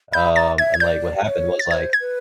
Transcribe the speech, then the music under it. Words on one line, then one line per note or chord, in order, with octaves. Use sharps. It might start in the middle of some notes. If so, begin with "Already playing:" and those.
um, and, like, what happened was, like,
B5 G6
A#5 A6
E5 G#6
G#6
D5 G6
C#5
A6
C5 G#6
G#6
B4